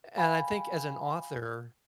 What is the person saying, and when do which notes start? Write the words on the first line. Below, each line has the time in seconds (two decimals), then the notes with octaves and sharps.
and I think as an author
0.17 F5 G5 G#5 B5